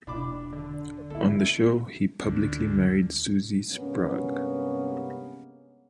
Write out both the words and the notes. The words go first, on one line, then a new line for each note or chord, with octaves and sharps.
On the show, he publicly married Susie Sprague.
E1 B2 D4 B5 D6
D3
B3 E4 A4
D2
G2 C3 G#3 A#3 B3 C#4